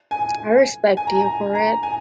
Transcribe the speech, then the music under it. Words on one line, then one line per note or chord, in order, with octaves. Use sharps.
I respect you for it.
G#5
G#5
A#5
G#5
A#5
G#5